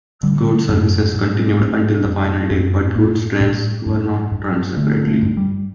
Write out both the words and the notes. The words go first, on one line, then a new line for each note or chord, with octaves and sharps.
Goods services continued until the final day but goods trains were not run separately.
D3 G3
F#2
A2
A2
F#2
F#2
A2 A#3
A2
G2
G2
D3 A3
A3
G2
G3